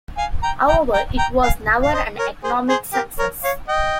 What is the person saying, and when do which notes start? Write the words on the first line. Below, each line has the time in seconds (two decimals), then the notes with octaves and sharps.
However, it was never an economic success.
0.17 F5 G#5
0.43 G5 A#5
0.68 G5 A#5
0.93 G5 A#5
1.18 G5 A#5
1.43 F5 G#5
1.82 F5
1.93 C5 D#5
2.18 A#4 C#5
2.43 G#4 C5
2.69 G#4 C5
2.93 G4 A#4
3.19 A#4 C#5
3.43 C#5 F5
3.68 D#5 G5